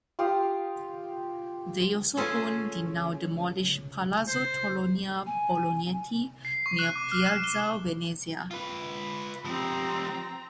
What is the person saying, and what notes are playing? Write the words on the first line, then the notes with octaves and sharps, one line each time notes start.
They also owned the now demolished Palazzo Torlonia-Bolognetti near Piazza Venezia.
F4 G4 F5 D#6
C#4 F4 G#4 A4
C5
G#5
C7
C#6
F#6
D6
F6
E7
G7
F4 B4
F3 C4 G4 A#5